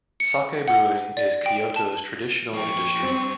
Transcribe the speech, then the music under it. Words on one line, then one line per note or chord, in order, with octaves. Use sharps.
Sake brewing is Kyoto's traditional industry.
C#7
F#5
D5
G5
A5
F3 A#3 G5 C#6
G2 G3 C4